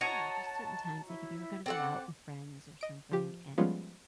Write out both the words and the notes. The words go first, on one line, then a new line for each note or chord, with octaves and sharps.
you know, just certain times, like, if you were gonna go out with friends, or something, and
F#4 C#5 D#5 A5 A#5
E4
C4 A4 F#5 D6
D#5 D7
F3 G4
F3 G3 G#3 B3 C#4 F4